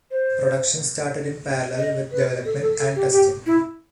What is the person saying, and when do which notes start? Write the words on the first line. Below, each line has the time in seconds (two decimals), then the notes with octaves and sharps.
Production started in parallel with development and testing.
0.11 C5
1.78 D#5
2.11 B4
2.45 A4
2.61 A4
2.78 A4
2.96 G4
3.12 G4
3.46 E4